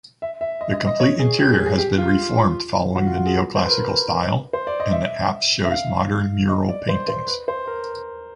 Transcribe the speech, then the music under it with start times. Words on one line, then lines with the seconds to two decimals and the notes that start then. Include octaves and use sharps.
The complete interior has been reformed following the neoclassic style and the apse shows modern mural paintings.
0.22 E5
0.41 E5
0.61 D#5
0.74 D#5
0.87 D#5
1.00 C#5
1.19 G#4
1.39 G4
1.53 G#4
1.66 G#4
1.78 G4
1.98 F4
2.96 F#4
3.06 F4
3.16 F#4
3.26 G#4
3.35 A4
3.56 C5
3.62 B4
3.70 A#4
3.78 B4
4.53 C5
4.67 D5
4.80 D#5
4.92 E5
5.65 E5
5.71 F5
6.49 D#5
6.69 D5
6.89 C5
7.08 C5
7.28 B4
7.48 C5
7.67 A#4